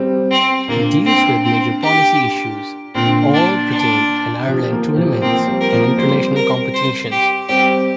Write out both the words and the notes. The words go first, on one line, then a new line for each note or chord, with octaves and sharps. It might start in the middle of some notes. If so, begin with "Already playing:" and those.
It deals with major policy issues, all-Britain and Ireland tournaments, and international competitions.
Already playing: G3 C4
C4
A#2 D3 A#3
C4
C4
G4
A#2 D3 C4
D4
D4
D3
C3 F3
F3 A#3
C3 F3
F3 A#3 C4
G3 C4
A#4
F3 A#3
G3 C4 C5
A#4
C5
G4
G3 C4 G4